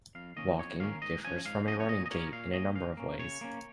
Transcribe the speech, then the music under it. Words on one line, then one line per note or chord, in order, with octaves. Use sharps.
Walking differs from a running gait in a number of ways.
F2 F5
D#3 A#3 C#4 D#5
F2 C#5
D#3 A#3 C#4 F5
G#2 D#5
F3 C#4 G#5
G#2 F5
F3 C#4 D#5
C#5
A#2 D#5
D#5
A#3 C#4 C#5
A#2 F5
A#3 C#4 D#5
C#3 F5
A#3 C#4
C#3 C#5
A#3 C#4